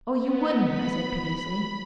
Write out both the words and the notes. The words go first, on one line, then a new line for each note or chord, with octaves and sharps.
"Oh, you wouldn't," I said piteously.
B3
B5